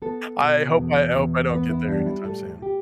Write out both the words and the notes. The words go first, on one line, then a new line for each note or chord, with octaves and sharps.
I hope I hope I don't get there anytime soon.
B3 A4
B2
E2
E2
B3 B4
E4
G3 D4
E4
A2 A4
A2 G4